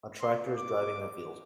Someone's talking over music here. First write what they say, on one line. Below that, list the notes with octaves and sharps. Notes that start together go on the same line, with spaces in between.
A tractor is driving in a field.
C6
D6